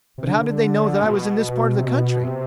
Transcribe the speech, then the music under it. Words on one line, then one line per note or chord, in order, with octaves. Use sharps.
"But how did they know that I was in this part of the country?"
C3
D3
A2
B2
C3
B2
C3